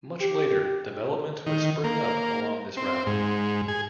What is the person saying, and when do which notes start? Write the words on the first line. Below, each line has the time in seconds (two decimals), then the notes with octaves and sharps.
Much later, development would spring up along this route.
0.21 G4
1.46 D#3
1.84 A#3
2.77 C4
3.07 G#2
3.68 G#4